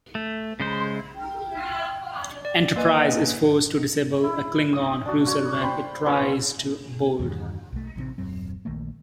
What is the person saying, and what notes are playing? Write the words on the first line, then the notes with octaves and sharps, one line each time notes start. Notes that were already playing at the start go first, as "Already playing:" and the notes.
"Enterprise" is forced to disable a Klingon cruiser when it tries to board.
A3
C#3 G#3 C5
G5
D5
A#3 B4 D#5 G#5
E4
D#6
D4 F#4
F#4 C#5
C5 G5 B5
B3 C#4 F4
E2 G2 D#3
B1 A3
A1 G2 C3 C4
D#1 F#2 F#3 C4
A#1 D#3 A3 A#3